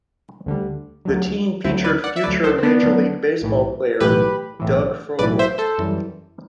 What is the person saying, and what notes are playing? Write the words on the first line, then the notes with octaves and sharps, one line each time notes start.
The team featured future Major League Baseball player Doug Frobel.
D2 D3 G3
D2 D3 F#3
D2 D3 F#3 C4 E4
B4 D5
D5 F#5
E5
D2 D3 F#3 B4 D5
A4 C5
C4
B3 D4
D2 D3 F#3
B1 A2 E3
B1 A2 E3 G4 B4
B1 A2 E3
B1 A2 E3 B4 D5
C5 E5
A4 C5
F#2 E3 G3